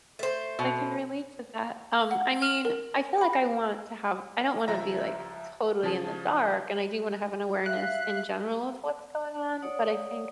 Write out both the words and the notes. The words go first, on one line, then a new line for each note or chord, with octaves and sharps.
I can relate to that, um, I mean, I feel like I want to have I don't wanna be, like, totally in the dark, and I do wanna have an awareness in general of what's going on, but I think
A3 C5
B2
F#5
F6
A#4
B5
A#6
C#2 F3 E5 A#5 A#6
C#3 F3 G#4 A5
E5 F5 F#6
C#5 D5 F#5 D#6